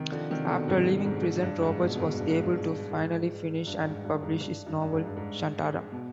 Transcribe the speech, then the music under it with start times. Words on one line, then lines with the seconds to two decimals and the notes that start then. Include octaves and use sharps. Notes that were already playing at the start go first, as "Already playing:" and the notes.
After leaving prison, Roberts was able to finally finish and publish his novel, "Shantaram".
Already playing: C3 D#3
0.12 D3 F3
0.30 C3 D#3
0.49 B2 D3
0.68 G#2 C3
1.05 G#2
1.42 G2
1.61 G#2
1.80 G2 B2
1.93 B2
1.99 G#2
2.18 G2
2.30 G#2
2.43 G2
2.92 G#2
3.67 G2
3.86 G#2
4.04 G2
4.23 G#2
4.42 G2
4.66 G2
4.82 G2
4.92 G#2
5.06 G2
5.17 G#2
5.92 B2